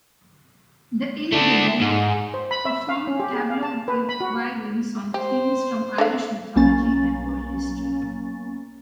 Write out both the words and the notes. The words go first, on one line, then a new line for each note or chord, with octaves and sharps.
The Inghinidhe performed tableaux vivants on themes from Irish mythology and world history.
A3 D4
G#2
C5
B5
E5
F5
C#4
G4
G#4
F5
A5
B4
B5
F#4
G4 C5
D4 A4 F5
B1 A#3 C#4 A6